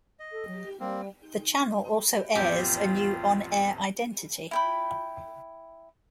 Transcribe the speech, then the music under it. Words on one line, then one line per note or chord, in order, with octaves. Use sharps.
The channel also airs a new on-air identity.
D#5
A4
F#3
G4
G3 A#3 C4
A1 F2 B3 F4 G4 G5
E4 G5 B5